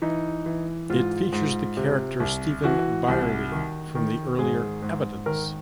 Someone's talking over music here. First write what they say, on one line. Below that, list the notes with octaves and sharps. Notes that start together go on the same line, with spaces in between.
It features the character Stephen Byerley from the earlier "Evidence".
E3 D#4
E3
G#2 F4
G#2
C3
C2
E3 F#4
C2
D#3
D#3
G#2 G#4
G#2
D#3 A#4